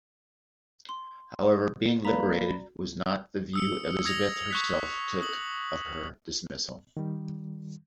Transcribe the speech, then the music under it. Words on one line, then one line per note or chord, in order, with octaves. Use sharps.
However, being 'liberated' was not the view Elizabeth herself took of her dismissal.
C6
A#3 B4 D5 A#5 B5
D#6 E6 C#7
D#6 E6 G#6 A#6 C#7 F7
C#6 F#6 B6
D#6 F#7
D#3 G3